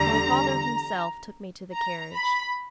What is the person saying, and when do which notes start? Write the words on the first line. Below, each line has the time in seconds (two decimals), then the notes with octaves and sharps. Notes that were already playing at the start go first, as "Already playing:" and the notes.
My father himself took me to the carriage.
Already playing: E2 D3 G3 A#5
1.74 A#5
2.15 B5